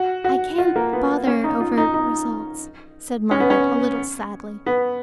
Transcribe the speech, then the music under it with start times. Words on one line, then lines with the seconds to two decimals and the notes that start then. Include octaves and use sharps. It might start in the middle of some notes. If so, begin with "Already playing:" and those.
"I can't bother over results," said Margaret, a little sadly.
Already playing: F#4
0.24 F#4
0.58 F4
0.76 A#3
0.93 B3
1.27 C#4
1.44 D#4
1.60 F4
1.78 D#4
1.94 D#4
3.31 C#4
3.40 B3
3.50 C#4
4.66 B3